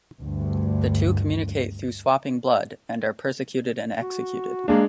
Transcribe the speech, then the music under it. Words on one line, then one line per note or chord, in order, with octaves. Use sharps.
The two communicate through swapping blood, and are persecuted and executed.
D2 G2
F#4
G#3 A#3 D4